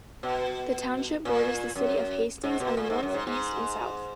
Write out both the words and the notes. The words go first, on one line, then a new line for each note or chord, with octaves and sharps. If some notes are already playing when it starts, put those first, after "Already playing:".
The township borders the city of Hastings on the north, east, and south.
B2
A#2
F#2
G#2
B2
A#2
G#2
F#2
G#2
G#2